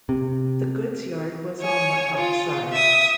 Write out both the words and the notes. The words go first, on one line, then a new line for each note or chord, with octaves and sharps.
The goods yard was on the up side.
C3
C#5 G#5
F4
E5 D#6